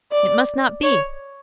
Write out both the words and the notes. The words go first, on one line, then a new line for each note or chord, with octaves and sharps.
It must not be!
D5
C#5